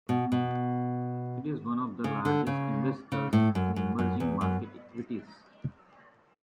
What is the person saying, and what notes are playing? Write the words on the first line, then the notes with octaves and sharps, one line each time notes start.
It is one of the largest investors in emerging market equities.
B2
B2
C#3
D3
C#3
C#3
A2
F#2
F#2
F#2
E2
F#2